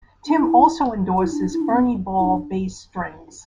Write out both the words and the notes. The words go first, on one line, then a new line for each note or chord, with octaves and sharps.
Tim also endorses Ernie Ball bass strings.
D4
E4
F#4
E4
D4
E4
D4
C4
B3
E4
D4